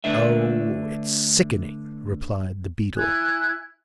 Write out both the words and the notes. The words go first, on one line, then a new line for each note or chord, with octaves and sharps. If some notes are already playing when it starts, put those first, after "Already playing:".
'Oh, it's sickening,' replied the beadle.
D3 A3 D4 B4 E5
E4 G#5 F#6 G#6